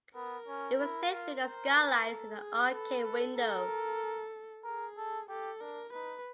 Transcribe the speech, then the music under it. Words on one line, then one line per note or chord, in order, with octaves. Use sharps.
It was lit through the skylights in the arcade windows.
B3 A#4
C#4
E4
F4
A#4 C5
B4
A4
G#4
A4 B4
A4
A4 A#4
G#4 A#4
A4
G4 A4
D4 A#4
D#4 B4